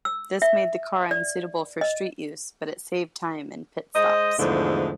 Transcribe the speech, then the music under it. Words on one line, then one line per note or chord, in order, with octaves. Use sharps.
This made the car unsuitable for street use, but it saved time in pitstops.
E6
E5
D5
D#5
G#3 C5 D#5
E2 G#2 D3 F3 A3